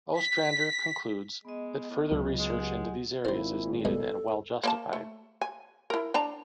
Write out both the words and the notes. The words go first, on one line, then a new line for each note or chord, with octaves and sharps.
Ostrander concludes that further research into these areas is needed and well justified.
B6
G#3 B3 D#5
A2
C#2 F#3
G#3
G4 F#5 G#5
G#1 A#2 C4 E4 C5
B2 G3 G#3 A4
A#3 D5 A5
A3
G#5
E4 A#4
D4 A5 A#5